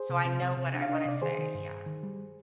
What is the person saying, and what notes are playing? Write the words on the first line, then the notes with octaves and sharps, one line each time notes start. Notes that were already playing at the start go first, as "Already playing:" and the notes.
so I know what I wanna say, yeah.
Already playing: G#4 C5
C3
C3
C3
C3
D4
F5
D4
D#5
C3 D5
D#3 G#4 C5
D#3
G2
G2
D#3
G3